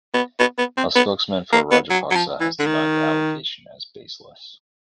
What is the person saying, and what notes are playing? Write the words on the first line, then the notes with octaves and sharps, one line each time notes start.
A spokesman for Rajapaksa has denied the allegations as baseless.
B3
B3
B3
C4
B3
A#3
B3
F#3
F#3
F3
E3
D3
D#3